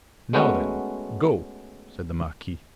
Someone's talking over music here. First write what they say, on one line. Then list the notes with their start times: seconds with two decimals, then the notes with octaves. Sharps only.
"Now, then, go," said the marquis.
0.33 G#3 A3 B3 C#4 F#4